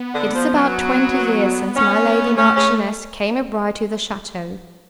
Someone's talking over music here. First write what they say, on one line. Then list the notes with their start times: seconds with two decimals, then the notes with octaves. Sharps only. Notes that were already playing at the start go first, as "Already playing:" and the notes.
'It is about twenty years since my lady Marchioness came a bride to the chateau.
Already playing: B3
0.14 D3
0.34 F3
0.54 F#3
1.76 C#4
2.36 A3 C#4
2.56 C#4